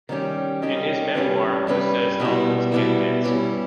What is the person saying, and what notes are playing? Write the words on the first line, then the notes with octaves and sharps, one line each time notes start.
In his memoir, Who Says Elephants Can't Dance?
D#3 G3 C#4 G4
D#3 G3 C#4 G4
G2 G3 C#4 G4 B4
G2 G3 C#4 G4 B4
B2 G3 B3 E4
B2 G3 B3 E4
G2 G3 C#4 E4